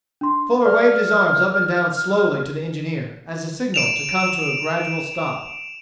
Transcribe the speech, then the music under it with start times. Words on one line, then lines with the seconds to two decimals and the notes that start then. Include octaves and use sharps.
Fuller waved his arms up and down slowly to the engineer as a signal to come to a gradual stop.
0.21 D4 C6
0.65 B4 D5 F6
3.74 D7 E7 F7